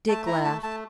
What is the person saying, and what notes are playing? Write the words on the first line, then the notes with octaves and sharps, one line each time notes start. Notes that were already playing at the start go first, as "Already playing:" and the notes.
Dick laughed.
A3 A5
E4 A#5
A3 A5
A3 A5